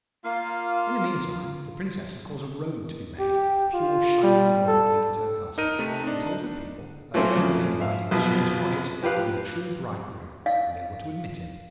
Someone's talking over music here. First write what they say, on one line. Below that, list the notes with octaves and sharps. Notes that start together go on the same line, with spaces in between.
In the meantime, the Princess had caused a road to be made of pure shining gold leading to her castle, and told her people that whoever came riding straight along it would be the true bridegroom, and they were to admit him.
A#3 F4 F5
G4
F4
G3
A4
D#4 A#4 D#7
C3 A3
D4 D#4
F#3 A3 A#3 C4 C#4 F4
F2
E5 F5
A#1 F#2 B2
F3 G4 B4 F5 F#6
F5